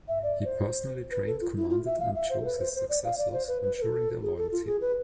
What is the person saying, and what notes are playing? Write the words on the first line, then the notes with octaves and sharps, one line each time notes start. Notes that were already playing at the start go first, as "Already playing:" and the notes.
He personally trained, commanded, and chose his successors, ensuring their loyalty.
E5
D5
C5
B4
A4
F4
E4
F4
E5
F5
E5
C5
A4
B4
C5
C5
D5
F5
D5
C5
B4
B4
B4
A4
G#4
A4
F4
G#4
B4